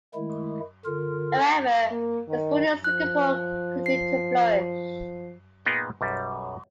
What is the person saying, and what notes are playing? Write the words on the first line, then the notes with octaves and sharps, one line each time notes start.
However the school in Singapore continued to flourish.
D#3 G#3 A3 E4
D3 F4 A#4
A#3
D#3
F3 F#6
C7
A#2 B3 D#4 G#4 A#4 G5
B1 F#2 G3